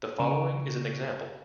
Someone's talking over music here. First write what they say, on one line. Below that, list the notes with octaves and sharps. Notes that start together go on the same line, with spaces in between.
The following is an example.
C#3